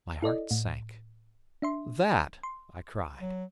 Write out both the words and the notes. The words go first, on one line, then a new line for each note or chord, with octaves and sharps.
My heart sank. "That!" I cried.
E4 A4 D5 D#5
A2
D4 E5 C6
C6
F#3